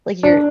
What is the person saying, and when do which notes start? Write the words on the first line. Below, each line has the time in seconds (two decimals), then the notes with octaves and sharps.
Like, you're
0.23 D4